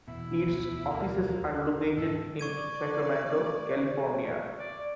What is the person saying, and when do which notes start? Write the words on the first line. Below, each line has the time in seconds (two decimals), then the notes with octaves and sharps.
Its offices are located in Sacramento, California.
0.08 E2 B2 E4
0.46 D2
0.90 A#3
1.76 D#3
1.97 G#2 F3 A4
2.39 D5 C#6 G#6 D#7
4.58 D5